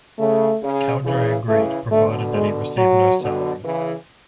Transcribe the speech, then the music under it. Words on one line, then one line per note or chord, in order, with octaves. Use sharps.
Cowdray agreed, provided that he receive no salary.
C#3 A3
C#3
C#3 E3
C#3 E3 A3
B2 D3 A3
G#3
F#3
B2 D3
C#3 E3